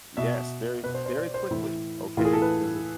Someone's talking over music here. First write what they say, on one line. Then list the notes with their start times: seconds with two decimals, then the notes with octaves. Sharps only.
Yes, very f very quickly, okay? 'Cause i
0.17 B2 E5
0.83 B2 B4
0.94 C5
1.06 C5
1.17 D5
1.34 C5
1.51 A2 E3 E4
2.17 A2 E3 F4
2.25 G#4
2.33 A4
2.42 B4